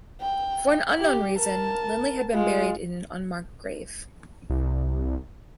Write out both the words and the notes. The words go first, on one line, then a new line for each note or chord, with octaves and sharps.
For an unknown reason, Lindley had been buried in an unmarked grave.
G5
G4
A#4 A5
G#3 F4
C2